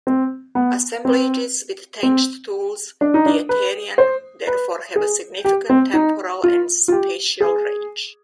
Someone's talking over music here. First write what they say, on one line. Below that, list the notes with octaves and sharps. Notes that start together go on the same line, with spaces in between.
Assemblages with tanged tools, 'the Aterian', therefore have a significant temporal and spatial range.
C4
B3
C4
C4
D4
D#4
D4
B4
C5
B4
G#4
G4
C4
D#4
F4
F4
G4
G#4